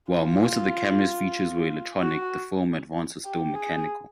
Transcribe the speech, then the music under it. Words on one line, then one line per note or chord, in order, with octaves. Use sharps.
While most of the camera's features were electronic, the film advance was still mechanical.
F4
F#4
G4
G#4